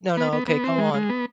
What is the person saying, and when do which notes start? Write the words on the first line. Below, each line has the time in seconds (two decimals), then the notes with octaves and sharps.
No, no, okay, go on.
0.17 B3
0.33 B3
0.48 B3
0.64 C4
0.78 G#3
0.94 G#3
1.09 B3